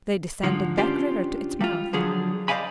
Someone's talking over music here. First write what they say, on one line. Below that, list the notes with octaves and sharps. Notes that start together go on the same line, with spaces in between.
They descended Back River to its mouth.
G#2 D3 F3
C#4 D4 F4 G4 C5 D5
G3 F4
D3 F3 F#3 G#4
C5 D5 D#5 F5 G#5 B5